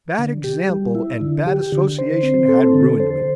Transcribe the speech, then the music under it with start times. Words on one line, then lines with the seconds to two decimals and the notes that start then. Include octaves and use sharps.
Bad example and bad association had ruined me.
0.19 D3
0.44 G4
0.70 G3
0.95 E4
1.21 D3
1.47 G4
1.72 D3
1.98 C5
2.23 C4
2.48 A4
2.74 D3
3.00 C5